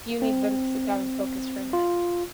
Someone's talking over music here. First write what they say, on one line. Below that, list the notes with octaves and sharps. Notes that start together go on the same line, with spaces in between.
you need them to sit down and focus for a minute.
C4
F4